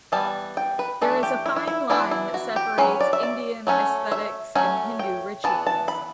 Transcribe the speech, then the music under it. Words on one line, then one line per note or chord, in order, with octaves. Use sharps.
There is a fine line that separates Indian aesthetics and Hindu rituals.
E3 G3 B3 A5
G5
B4
E3 A3 D4 A4
G4
E4
E4
E4
E3 B3 D4 E4
E4
F#4
G4
F#3 C#4 B4
D5
E5
D5
F#3 A3 C#4
E5
F#3 A3 C#4
G5
E3 B3 A5
A5
B5